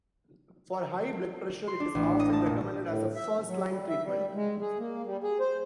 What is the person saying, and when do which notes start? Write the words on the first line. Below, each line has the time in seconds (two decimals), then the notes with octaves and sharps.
For high blood pressure it is often recommended as a first line treatment.
1.67 C6
1.80 D4
1.95 A1
2.20 D#5
2.33 A5
2.46 A#2
2.86 A2
3.15 E5
3.47 F#3
3.69 G3
3.89 E5
4.05 G3
4.35 G#3
4.61 G#4
4.79 A#3
5.06 G3
5.23 G#4
5.40 C5